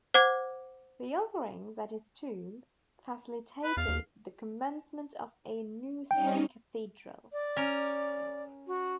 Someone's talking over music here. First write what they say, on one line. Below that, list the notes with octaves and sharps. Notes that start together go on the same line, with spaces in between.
The offerings at his tomb facilitated the commencement of a new stone cathedral.
C5 F#5 D6 G#6
B4
E2 F5
D#2
G3 C#4 D#4 G5
D5
C#4 A#4
F#4